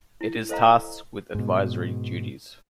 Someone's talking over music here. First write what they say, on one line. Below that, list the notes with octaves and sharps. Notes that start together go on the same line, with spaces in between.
It is tasked with advisory duties.
E4
A4 C5 D#5 F5 A#5
G#2 B2